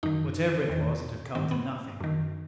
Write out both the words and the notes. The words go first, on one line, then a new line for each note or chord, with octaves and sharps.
Whatever it was, it had come to nothing.
F#2 D#3 D#4
E2 D#3
G2 D#3 C4
B3
F#2 D#3